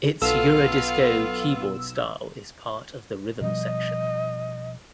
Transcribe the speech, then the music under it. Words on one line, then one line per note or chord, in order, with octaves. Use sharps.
Its Eurodisco keyboard style is part of the rhythm section.
B1 B3 F4 A4 F5 E6
B2 F3 G3 D#5